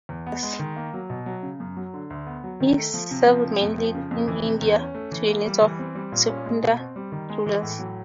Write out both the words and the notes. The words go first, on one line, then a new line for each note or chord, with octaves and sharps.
He served mainly in India to the needs of the Scindia rulers.
E2
B3
G#3
D#3
A#3
F#3
B2
F#3
C#3
F#2
F#3
D3
D2
B3
F#3
D#3
A3
F3
C3
F3
C3
F2
F3
C#3
F2
E3
C3
E2
C#4
A3
E3
A#3
G3
E3
C4
G3
A#2
C#4
G#3
B2
C4
G3
D#3
G#3
E3
A2
F#3